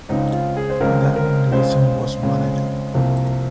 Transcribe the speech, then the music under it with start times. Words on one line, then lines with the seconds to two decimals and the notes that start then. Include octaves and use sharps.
Darren Gleeson was manager.
0.09 C#2 C#3 G#3 C4 D#4
0.33 F4
0.57 G#4
0.70 C5
0.80 C#2 C#3 G#3 C4 A#4
1.16 A#4
1.51 C#2 C#3 G#3 C4 C5
2.23 C#2 C#3 G#3 C4
2.94 C2 C3 F3 A#3